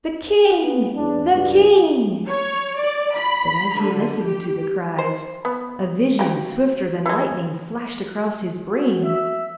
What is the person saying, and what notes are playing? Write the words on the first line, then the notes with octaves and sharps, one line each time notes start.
'The king! the king!' but as he listened to the cries, a vision, swifter than lightning, flashed across his brain.
B3
E2 C#4 D4
C#2 G2
C#5
D5
B5
D3
G4
C5
B3
F#4 G4 G5
E3 G#3
F#4
E5